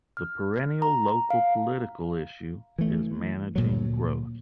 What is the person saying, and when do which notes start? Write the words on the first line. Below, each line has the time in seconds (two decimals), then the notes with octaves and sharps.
The perennial local political issue is managing growth.
0.17 F6
0.82 A#5
1.30 F5
2.79 E3 A3
3.56 D2 A#2 F#3